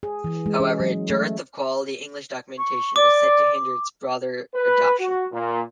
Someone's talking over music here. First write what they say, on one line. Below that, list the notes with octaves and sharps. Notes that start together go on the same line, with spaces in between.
However, a dearth of quality English documentation was said to hinder its broader adoption.
G#4
E3
G#3
C#4
F#3
A3
C#6
D5 D6
B4
F#4
A#2